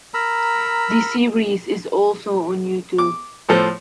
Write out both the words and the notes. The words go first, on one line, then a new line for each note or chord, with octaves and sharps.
The series is also on YouTube.
A#4 A#5 B5 E6
D6
A2 F3 A4 C5